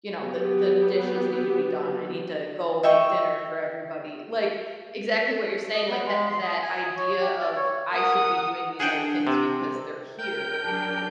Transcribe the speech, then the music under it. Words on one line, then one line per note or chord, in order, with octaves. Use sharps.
you know, "The the dishes need to be done, I need to go make dinner for everybody," like exactly what you're saying, like, that that idea of, "I should be doing these other things because they're here,"
F#3 B3 G4
D#5 E5 G5 C#6
D#5
B3
G#3
C6
D#6
G#5
D#6
C#5
G4
D5
C#5
A#4 F#5 D#6
D4 G#4 F#5 G5
C3
A#4 G5 G6
F#3 D4 G#4 A5